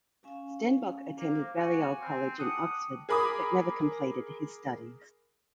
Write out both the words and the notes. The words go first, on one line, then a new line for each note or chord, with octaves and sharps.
Stenbock attended Balliol College in Oxford but never completed his studies.
C#4 F5 G#5
A#3 C5 F5 D6
F#4 G#5
C4
F#5 G5 A5 D6 D#6
G#4 A#4 B5 D6 D#6